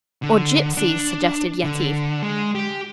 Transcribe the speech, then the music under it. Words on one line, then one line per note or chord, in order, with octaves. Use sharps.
"Or gypsies" suggested Yetive.
D3
D4
D3
G#3
G4